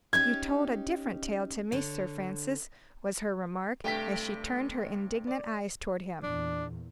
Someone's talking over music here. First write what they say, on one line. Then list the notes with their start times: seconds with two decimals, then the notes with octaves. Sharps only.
"You told a different tale to me, Sir Francis," was her remark, as she turned her indignant eyes toward him.
0.13 C#4 D#4 G4 G#6
1.72 D3 C#5
3.84 G2 C3 A3 G4 G5 B6
5.27 D5
6.23 E2 A#2 D4